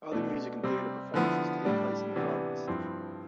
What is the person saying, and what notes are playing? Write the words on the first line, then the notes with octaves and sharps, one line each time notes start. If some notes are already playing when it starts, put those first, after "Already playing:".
Other music and theatre performances take place in the gardens.
B2 A3 D4
C3 G3 C4
D3 F3 B3 E4
A2 G3 D4
C3 E3 B3 D4
G2 F3 C4 E4